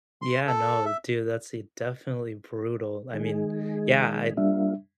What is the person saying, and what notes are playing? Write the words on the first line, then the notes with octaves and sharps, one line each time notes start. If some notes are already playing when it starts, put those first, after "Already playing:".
Yeah, no, dude, that's definitely brutal. I mean, yeah, I
C6
A4
E5
D#3 G#3 G#4
G3 A#3 D4 F4 E5